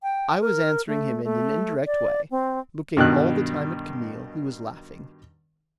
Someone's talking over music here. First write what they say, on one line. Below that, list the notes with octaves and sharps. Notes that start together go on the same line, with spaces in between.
I was answering him in an indirect way, looking all the time at Camille, who was laughing.
G5
A#4
A3
A3
D5
C4
G2 B2 D#3 F#6